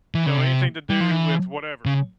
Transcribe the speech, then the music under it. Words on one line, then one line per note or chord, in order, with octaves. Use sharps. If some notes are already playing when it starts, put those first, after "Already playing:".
you know, “Anything to do with whatever,
E3
C#3
C3
G3
F3
E3
C#3